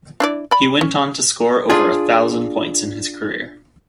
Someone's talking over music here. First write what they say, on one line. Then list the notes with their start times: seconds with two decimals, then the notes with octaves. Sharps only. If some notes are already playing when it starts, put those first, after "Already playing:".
He went on to score over a thousand points in his career.
0.20 D4 E4 D5
0.51 D5 B5
0.81 C#4
1.70 D4 F4 G#4